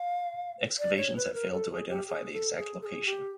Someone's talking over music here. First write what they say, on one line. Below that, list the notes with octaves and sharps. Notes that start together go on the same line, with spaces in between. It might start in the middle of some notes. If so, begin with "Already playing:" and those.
Excavations have failed to identify the exact location.
Already playing: F5
D5
C#5
B4
A#4
A4
G#4
G4
G#4
A4
G#4
A4
G#4
G4